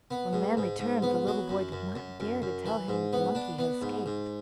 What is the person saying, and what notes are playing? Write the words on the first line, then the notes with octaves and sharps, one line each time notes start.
When the man returned the little boy did not dare to tell him that the monkey had escaped.
B3
G#2
G#2
G#2
B3
F#3
F#2
F#2
F#2
F#2
F#2
E3
G#2
B3
D4
B3
G#2
G#2